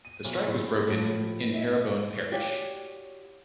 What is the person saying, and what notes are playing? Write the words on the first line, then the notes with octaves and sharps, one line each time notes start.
The strike was broken in Terrebone Parish.
D#7
B1
A2
A2 F3
E4 D#5 E5
F#4 G4 C#5 D5 F5 G#5